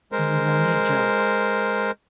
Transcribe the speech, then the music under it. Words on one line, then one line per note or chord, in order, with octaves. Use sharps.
It was only a joke.
G#3 A#4 C5